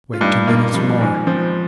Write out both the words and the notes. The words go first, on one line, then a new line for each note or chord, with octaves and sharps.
"Wait two minutes more."
F4
G2 D#4
A#3 D#4
F3 G3
G#2 D#3
F3 C4